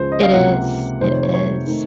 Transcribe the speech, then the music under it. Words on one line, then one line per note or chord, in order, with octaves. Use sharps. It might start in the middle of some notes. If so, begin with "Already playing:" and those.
It is, it is,
Already playing: C#2 C#3 F3 C5
D#5
F5
C#2 C3 F3 A#3 F#5
F2 C3 D#3 A3 C5
C#5
C#5
C#5
D#3 A3 C4 D#4